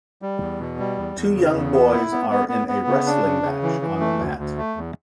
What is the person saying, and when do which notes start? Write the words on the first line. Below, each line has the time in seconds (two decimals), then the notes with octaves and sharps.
Two young boys are in a wrestling match, on a mat.
0.22 G3
0.40 E2
0.60 B2
0.79 G3
0.97 E2
1.16 E2
1.35 C#3
1.54 E2
1.73 B3
1.92 E4
2.11 B3
2.30 B3
2.48 B3
2.68 B3
2.87 C#3
3.06 D4
3.25 C#3
3.43 C#3
3.63 E3
3.82 E3
4.00 A3
4.19 D2
4.38 D2
4.57 A3
4.76 E2